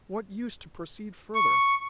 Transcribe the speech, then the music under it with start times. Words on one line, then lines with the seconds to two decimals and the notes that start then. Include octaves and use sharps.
What use to proceed further?
1.35 C#6